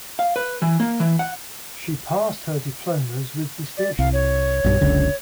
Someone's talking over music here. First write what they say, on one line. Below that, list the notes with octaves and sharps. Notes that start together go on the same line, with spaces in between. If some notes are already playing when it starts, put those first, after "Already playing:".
She passed her diplomas with distinction.
F5
B4
E3
A#3
E3
F#5
D5
C2 F5
C#5
B1 G2
F#1 C#2 D3